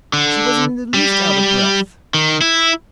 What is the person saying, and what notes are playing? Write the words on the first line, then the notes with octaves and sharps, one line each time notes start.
She wasn't in the least out of breath.
D3
G3
D#3
E4